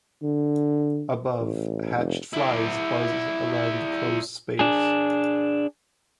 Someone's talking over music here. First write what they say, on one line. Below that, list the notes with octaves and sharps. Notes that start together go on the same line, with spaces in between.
Above, hatched flies buzz around in the closed space.
D3
A1
F1
E4 D5
D4 G#4